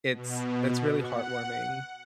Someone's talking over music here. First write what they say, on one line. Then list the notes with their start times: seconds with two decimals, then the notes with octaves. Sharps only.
it's it's really heartwarming.
0.11 B2
0.98 F#5